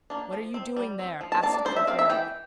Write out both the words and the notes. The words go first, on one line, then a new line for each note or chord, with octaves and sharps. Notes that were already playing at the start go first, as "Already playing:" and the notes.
"What are you doing there?" asked Courfeyrac.
A#3 D4
F3
C4
G3
C4
F3
A5
A#3 D4 A5
D5
G3 C5
E5
C4 F5
E5
E3 G5